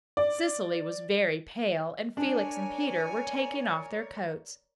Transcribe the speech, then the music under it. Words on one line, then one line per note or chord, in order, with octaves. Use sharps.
Cecily was very pale, and Felix and Peter were taking off their coats.
D5
D4 A#4 C#5 D5 G#5